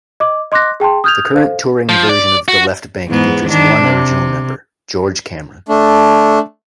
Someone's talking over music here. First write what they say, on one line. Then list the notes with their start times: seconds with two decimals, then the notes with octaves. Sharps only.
The current touring version of The Left Banke features one original member: George Cameron.
0.20 D#5 D6
0.52 D#5 C6 D6 F#6 A#6
0.80 G#4 G5 A5 C6
1.04 D#6 F6 G6 G#6 F7
1.33 A4 C5 F5
1.89 F3
2.09 D5
2.48 F#4
3.08 E2 G#2 B3
3.49 D#3 D4
3.83 C3
5.69 A3 D4